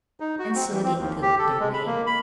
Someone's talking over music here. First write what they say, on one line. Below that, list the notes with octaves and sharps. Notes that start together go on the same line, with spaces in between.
And so they took their way.
D#4
F#4
C4
E3
C4
D#2
G4
A4
G#3
B5
A#3
B5